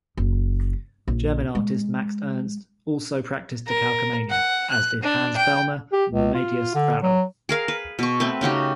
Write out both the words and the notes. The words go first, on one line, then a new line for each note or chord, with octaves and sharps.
German artist Max Ernst also practised decalcomania, as did Hans Bellmer and Remedios Varo.
F#1
A#1
G#3
A#4
F#5
F#6
D4
G5
G4
C#2
F4
D3
F#3
G#4 A#4 F5
B4
B2 C#6
A3 C4 B4
C#3 D#4 F#4 G4